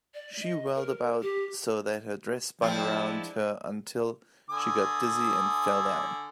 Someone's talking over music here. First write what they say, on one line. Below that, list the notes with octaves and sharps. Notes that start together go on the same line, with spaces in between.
She whirled about so that her dress spun around her until she got dizzy and fell down.
D5
D#5
A#4
G4
F3 G#3 C4 D4 E4
D3 G#5 D#6